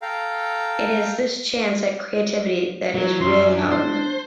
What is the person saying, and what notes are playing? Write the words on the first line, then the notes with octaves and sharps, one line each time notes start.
It is this chance at creativity that is real empowerment.
A4 F5 G5 A#5
F#3
F#2 C6
D4
C5